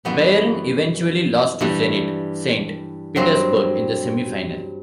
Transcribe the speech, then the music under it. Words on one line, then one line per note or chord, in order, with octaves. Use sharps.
Bayern eventually lost to Zenit Saint Petersburg in the semi-final.
F#2 E3 G3 B3
G2 E3 G3
G2 F#3 C4